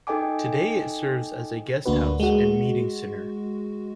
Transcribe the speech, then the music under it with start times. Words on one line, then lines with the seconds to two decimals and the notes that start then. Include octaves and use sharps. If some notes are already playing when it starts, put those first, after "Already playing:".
Today it serves as a guesthouse and meeting center.
0.07 D#4 A4 D#5 G5 G#5 D6
1.86 D2 A#3 D4 F#4 B4
2.20 G#3 F#4